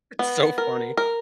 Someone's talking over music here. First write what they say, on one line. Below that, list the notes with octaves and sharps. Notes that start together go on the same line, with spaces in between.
It's so funny.
B3
A#4
A#4